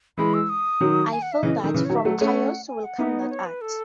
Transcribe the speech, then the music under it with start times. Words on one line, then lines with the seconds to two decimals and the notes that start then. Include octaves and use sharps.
I feel that from Taos will come that art.
0.17 E3 G#3 B5
0.34 E6
0.49 D#6
0.81 D#3 F#3
1.12 G#5
1.22 F#5
1.32 E5
1.43 C#3 E3 D#5
1.58 A4
1.64 D#3
1.74 C#3 E3 B4
1.84 C#5
1.90 D#3 F#3
1.95 E5
2.05 F#3 A3 F#5
2.21 A3 C#4
2.68 G#5
2.83 F#5
2.98 B3 D#4 E5
3.09 D#5
3.19 C#5
3.30 C#5
3.46 B4
3.61 A4